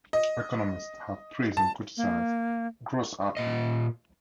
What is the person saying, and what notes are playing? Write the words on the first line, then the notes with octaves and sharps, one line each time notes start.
Economists have praised and criticized gross output.
D#5
A5
A#3
A#2 D#5